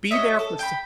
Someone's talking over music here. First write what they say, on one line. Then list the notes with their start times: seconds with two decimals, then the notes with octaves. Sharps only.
Be there for so
0.11 F#4 C#5 D#5 E5
0.39 A4
0.59 G5 B5